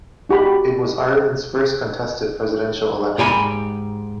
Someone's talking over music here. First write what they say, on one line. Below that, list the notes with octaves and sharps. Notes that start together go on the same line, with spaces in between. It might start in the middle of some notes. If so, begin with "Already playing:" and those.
It was Ireland's first contested presidential election.
D#4 F#4 G4 B5
G#2 G4 G#5 B5